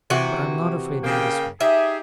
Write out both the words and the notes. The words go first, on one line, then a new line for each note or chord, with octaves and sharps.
But I'm not afraid in this way.
C3 E3 F#4
C#3 A#3 G5
D#4 G4 G#4 E5